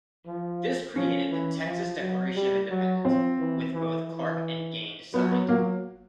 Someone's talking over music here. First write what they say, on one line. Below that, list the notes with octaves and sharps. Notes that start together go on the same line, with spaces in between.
This created the Texas Declaration of Independence, with both Clark and Gained signed.
F3
F3 C#4
E3
F3
F#3
G3
F#3
F3 C4
E3
E3
E3
F#3 B3
B3
F#3 A#3